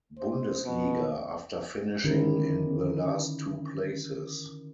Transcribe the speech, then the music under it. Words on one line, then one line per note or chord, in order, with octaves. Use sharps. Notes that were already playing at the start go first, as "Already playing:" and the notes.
Bundesliga after finishing in the last two places.
C5
B2
D3 D#3 C#4 E4 G4 A#4